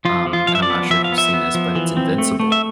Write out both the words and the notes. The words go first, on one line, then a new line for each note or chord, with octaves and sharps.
um, and I'm not sure if you've seen this, but it's Invincible,
F3 F4
F3
F4
F3 F5
E5
D5
B3
F3 E5
F5
B3
E5
B3
F3
E3
C4
A3
A3
E5